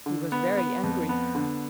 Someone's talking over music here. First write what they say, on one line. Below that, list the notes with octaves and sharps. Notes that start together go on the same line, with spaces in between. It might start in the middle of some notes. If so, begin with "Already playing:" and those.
He was very angry.
D3
B3
B3
F2
B3
D3